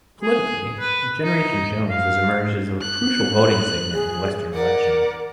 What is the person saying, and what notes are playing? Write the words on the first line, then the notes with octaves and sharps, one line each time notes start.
Politically, Generation Jones has emerged as a crucial voting segment in Western elections.
G#4
B4
D#4
F5
F#6
G#4
A#4 D5 F#5